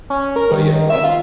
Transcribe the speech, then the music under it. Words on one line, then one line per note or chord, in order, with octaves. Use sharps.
but yeah, I don't
C#4
A#4
D#3
E5
F4